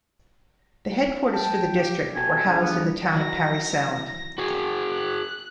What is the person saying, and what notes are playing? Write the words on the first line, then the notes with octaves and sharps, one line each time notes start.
The headquarters for the district were housed in the town of Parry Sound.
G5 A5
G4
B2 G4 A4 G#5
D3 G3 G#4
B3
D#3 E3 F#3 A#6
F#4 G#4
F#6